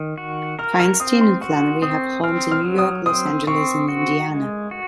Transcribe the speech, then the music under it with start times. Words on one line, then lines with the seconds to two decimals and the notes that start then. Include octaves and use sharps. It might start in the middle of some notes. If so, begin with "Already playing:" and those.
Feinstein and Flannery have homes in New York, Los Angeles, and Indiana.
Already playing: D#3
0.18 F#4
0.59 A#4 F6
0.80 F6
1.00 C4 D#6
1.21 C6
1.41 F#4 C#6
1.82 C4 D#6
2.24 C4 F6
2.51 F6
2.64 F#3
2.78 D#6
3.06 C4 D#6
3.47 C4 C#6
3.88 F#4
4.30 G#3
4.71 F#4